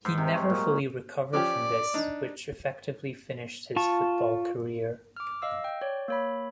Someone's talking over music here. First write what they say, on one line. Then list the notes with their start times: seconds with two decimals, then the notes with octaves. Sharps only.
He never fully recovered from this which effectively finished his football career.
0.05 G#2
0.18 C3
0.35 C#5
0.50 A#2
1.33 F3 C#4 G4 D5
1.94 D4 D#4
3.76 F4 A5 C#6
5.16 D6 F6
5.42 D#5 F5 E6
5.64 G5
5.81 C#5 D5
6.08 A#3 C#5 B5